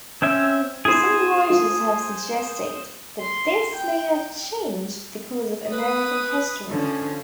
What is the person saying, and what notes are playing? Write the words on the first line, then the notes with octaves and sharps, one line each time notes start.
Some writers have suggested that this may have changed the course of American history.
C4 C#4 E5
C4 E4 G#4 C5
F3
C6
G5
B4 D#6
D3 F3 C#4